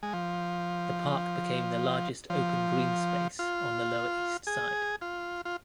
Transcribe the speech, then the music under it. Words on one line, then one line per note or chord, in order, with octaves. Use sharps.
The park became the largest open green space on the Lower East Side.
G#3
F3
F3
F4
G#4
F4
F4